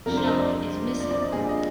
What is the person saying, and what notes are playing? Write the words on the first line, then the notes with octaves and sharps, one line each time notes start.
Jacques is missing!
F2 C3 G3 D4 A#4
C5
D#5
D5
D5
D5
D#5
A#2 G3 D4 G#4
D#5